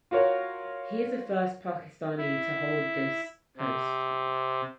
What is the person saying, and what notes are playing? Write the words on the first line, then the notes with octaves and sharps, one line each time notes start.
He is the first Pakistani to hold this post.
F4 F#4 A#4 C#5
E4
C3